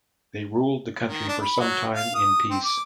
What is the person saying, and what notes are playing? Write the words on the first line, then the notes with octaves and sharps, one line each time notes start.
They ruled the country for some time in peace.
D#3
D4
B5
F#3
F5
D#6
C4
D6